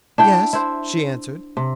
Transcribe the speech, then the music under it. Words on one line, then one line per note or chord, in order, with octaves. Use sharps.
"Yes," she answered.
D4 E4 G5
E4 C5
C3